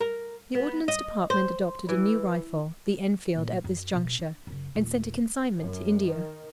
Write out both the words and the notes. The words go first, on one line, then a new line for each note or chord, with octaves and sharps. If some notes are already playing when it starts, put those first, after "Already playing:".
The Ordnance Department adopted a new rifle, the Enfield, at this juncture, and sent a consignment to India.
A#4
B3
D#5
C5
E3
A#2 D#3
F#2
B2
D4
F#2 C#3
D#2 A#2
F#2
D#3